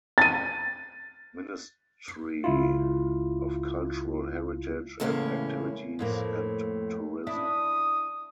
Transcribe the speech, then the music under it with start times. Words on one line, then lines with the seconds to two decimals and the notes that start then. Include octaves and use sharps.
Ministry of Cultural Heritage and Activities and Tourism.
0.18 A6 D#7
2.44 C#2 E4 F4
5.00 E2 A2 C#3 G#3 A#3 C#4
5.99 F2 A2 A#3
7.27 D4 E4 D#6